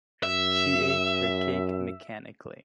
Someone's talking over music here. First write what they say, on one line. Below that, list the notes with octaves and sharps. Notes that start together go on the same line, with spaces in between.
She ate her cake mechanically.
F#2 E5